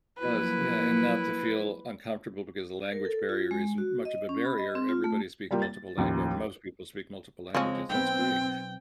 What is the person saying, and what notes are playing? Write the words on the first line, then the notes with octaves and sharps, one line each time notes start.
It does. Yeah, and not to feel uncomfortable because the language barrier isn't much of a barrier. Everybody speaks multiple lang or most people speak multiple languages. That's great.
F3 F#3 A#3 E4 B4
A#4
A4
F4
G#3
F#4
D#5
C#4
B5
D#5
C4
F4
A3
G3 A#3 F4 G5
A6
A1 D#2 F3
C#2 F3 G#3 C4 C#4 C#5
B1 B3 C4 G5